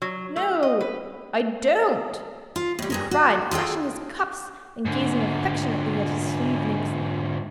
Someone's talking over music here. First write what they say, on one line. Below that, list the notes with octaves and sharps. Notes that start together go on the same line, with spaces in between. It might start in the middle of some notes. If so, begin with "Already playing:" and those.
'No, I don't,' he cried, flashing his cuffs and gazing affectionately at his sleeve-links.
F#3
A3
D#5
B4
F4
A2 G3
G2 G#4 A#4
F#4
F4 G#4 A4 G5
G#2 D3